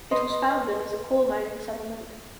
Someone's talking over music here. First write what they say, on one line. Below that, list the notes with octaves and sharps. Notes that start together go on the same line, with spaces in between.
It was founded as a coal mining settlement.
B4 D#5 C6